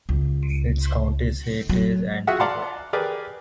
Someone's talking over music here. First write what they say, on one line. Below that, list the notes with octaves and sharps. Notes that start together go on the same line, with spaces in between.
Its county seat is Antigo.
C#2
F#3
F4 F#4 G#4 E5 F#5
D5 F5 F#5 A5 A#5 C6
G4 G#4 A#4 B4 D5